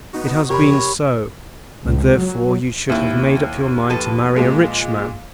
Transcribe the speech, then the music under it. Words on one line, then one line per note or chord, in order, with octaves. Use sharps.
"It has been so, and therefore you should have made up your mind to marry a rich man."
B3 D#4 F#4
F2 C3 G4 A#4 C#5 B5
C#2
F#3
D#2 C4 E4
F3 A4 B4
A#2 G#3